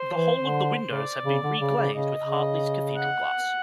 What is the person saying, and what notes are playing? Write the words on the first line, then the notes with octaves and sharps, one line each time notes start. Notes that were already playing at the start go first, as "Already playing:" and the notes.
The whole of the windows have been reglazed with Hartley's cathedral glass.
Already playing: C5
E3
D3
C#3 D5
C#3
D3
C#3
C#3
C#3 D#5
C#3
F#5